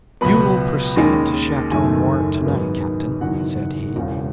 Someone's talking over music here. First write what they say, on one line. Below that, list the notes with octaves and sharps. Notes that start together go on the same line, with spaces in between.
"You will proceed to Chateau Noir to-night, captain," said he.
C#2 B2 F#3 B3 B5
D#2 D#3 G#3 C#4
F#1 F#2 D#3 A3 G#5
G#2 D#3 F#3 B3
F#1 E2 D#3 F#3 F#5
E1 E2 C#3